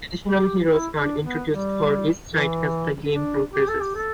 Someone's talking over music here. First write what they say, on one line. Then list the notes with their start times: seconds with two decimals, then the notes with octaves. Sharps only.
Additional heroes are introduced for each side as the game progresses.
0.28 G4
0.69 E4
0.97 D4
1.24 B3
1.51 G3
2.32 E3
3.13 D4
3.54 G4
3.68 A4
3.81 G4
3.95 A4